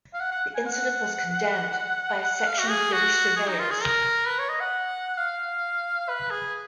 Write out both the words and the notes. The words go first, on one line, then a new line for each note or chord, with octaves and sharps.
The incident was condemned by a section of British surveyors.
F5
F#5
F#5
G#5
F#5
F5
F#4
G#4
F#4
G#4
D#4
F4
G#4
A#4
B4
C#5
D#5
F#5
F5
B4
G#4